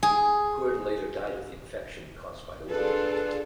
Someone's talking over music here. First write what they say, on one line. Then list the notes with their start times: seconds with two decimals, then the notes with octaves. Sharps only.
Gordon later died of the infection caused by the wound.
0.03 G#4
2.69 D4 F4 G#4 A4 B4